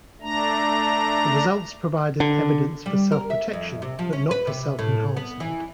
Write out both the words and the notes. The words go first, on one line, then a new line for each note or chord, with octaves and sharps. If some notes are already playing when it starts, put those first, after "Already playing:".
The results provided evidence for self-protection but not for self-enhancement.
A3 D4 A#5
D3
G3
A#4
E5
F2
C3
F3
C#4
B4
C3
A2
B3
E3